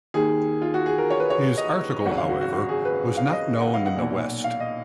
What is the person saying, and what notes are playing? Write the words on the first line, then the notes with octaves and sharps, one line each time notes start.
His article however, was not known in the West.
D#2 D#3 G#4
F4
F#4
G#4
A#4
C#5
B4
C#5
D#5
G#1 F#2 C#3 F#5
F5
F#4
F#4
F#4
G#4
B4
F5
D#5
F#5
F5
F#5
B1 A#2
F5
D#5